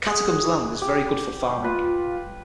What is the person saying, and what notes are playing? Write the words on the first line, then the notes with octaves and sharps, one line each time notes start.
Katagum's land is very good for farming.
G#4 F#5
G4
F4 B4